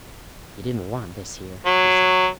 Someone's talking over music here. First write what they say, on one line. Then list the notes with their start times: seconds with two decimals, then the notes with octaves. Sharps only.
"You didn't want this here," he said.
1.66 F#3